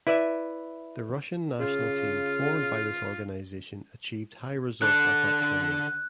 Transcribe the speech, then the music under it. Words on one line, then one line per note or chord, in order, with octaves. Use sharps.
The Russian national team formed by this organization achieved high results at that tournament.
E4 B4 D5 E5
C#3 F4
D3 A4 F#6